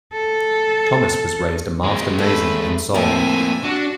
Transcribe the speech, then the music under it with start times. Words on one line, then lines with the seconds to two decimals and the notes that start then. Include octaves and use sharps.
Thomas was raised a Master Mason in Sol.
0.13 A4
1.84 G#3 C4
2.19 A3 A4 B4
2.94 F2 A2 F3 A#3 C4 E5 G#5
3.64 D4 F#4